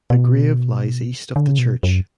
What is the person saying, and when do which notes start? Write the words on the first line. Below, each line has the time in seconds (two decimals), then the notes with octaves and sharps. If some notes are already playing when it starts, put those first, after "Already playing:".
The grave lies east of the church.
0.10 B2
1.36 D3
1.47 C#3
1.59 B2
1.83 F#2